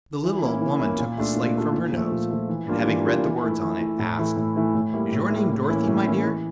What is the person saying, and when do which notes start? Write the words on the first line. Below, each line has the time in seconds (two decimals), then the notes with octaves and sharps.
The little old woman took the slate from her nose, and having read the words on it, asked, "Is your name Dorothy, my dear?"
0.23 E3
0.42 A#3 C#4 E4
0.61 E3
0.80 A#3 C#4 E4
0.99 A#2
1.18 A3 D4 F4
1.36 A#2
1.55 A3 D4 F4
1.74 A#2
1.92 F3 A3
2.11 A#2
2.30 F3 A3
2.49 E3
2.68 G3 A#3 D4 F4
2.87 E3
3.05 G3 A#3 D4 F4
3.24 E3
3.42 A3 E4
3.61 E3
3.80 A3 E4
3.99 A2
4.18 E3 A3 E4
4.37 A2
4.56 E3 A3 E4
4.74 A2
4.93 G3 A#3 E4
5.12 A2
5.31 G3 A#3 E4
5.50 A2
5.69 E3 A#3 C#4 E4
5.87 A2
6.06 E3 A#3 C#4 E4
6.25 E3